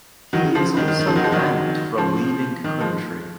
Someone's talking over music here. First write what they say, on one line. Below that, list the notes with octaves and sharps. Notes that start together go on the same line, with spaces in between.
He is also banned from leaving country.
D#3 F#3
C#3
C#3 F3
C#3
D#3
D#3
D#3
C#3 F3
D#3 F#3
F3 G#3
D#3 F#3
C#3 F3
D#3
F3 G#3